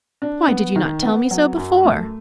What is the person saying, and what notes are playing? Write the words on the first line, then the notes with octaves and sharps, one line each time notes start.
Why did you not tell me so before?
D4
B3
D#3
B3
F#3
F#2
A3